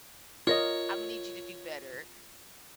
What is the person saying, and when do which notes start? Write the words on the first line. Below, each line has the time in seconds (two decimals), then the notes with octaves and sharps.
Imma need you to do better.
0.47 F4 A#4 C#5 D#5